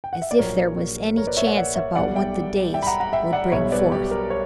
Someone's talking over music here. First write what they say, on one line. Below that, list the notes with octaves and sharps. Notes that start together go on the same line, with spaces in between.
As if there was any chance about what the days would bring forth.
G5
F#5
E5
D5
A#1 A#2 F#3 A#4 C#5
A#4 C#5
B4 D5
C#5 E5
D5 F#5
D5 F#5
C#5 E5
B1 B2 G3 D5 F#5
E5 G5
E5 G5
B5
F#5 A#5
F#5 A#5
E5 G5
D5 F#5
B1 B2 G3 C#5 E5
B4 D5
G4
A#4
C#5